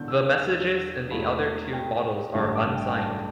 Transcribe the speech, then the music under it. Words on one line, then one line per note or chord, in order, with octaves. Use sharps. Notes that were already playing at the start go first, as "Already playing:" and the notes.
The messages in the other two bottles are unsigned.
Already playing: E1 E2 D3 G6
E6
E6
E6
E1 E2 B2 A3 B5
G5
A1 G2 D3 A3 A5
D6
G5
A5